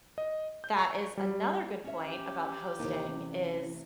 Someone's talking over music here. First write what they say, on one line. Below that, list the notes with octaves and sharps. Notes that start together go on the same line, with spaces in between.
that is another good point about hosting, is
D#5
G6
C#6
G3
C#4 E5
G4
D#2 C3 E3
A1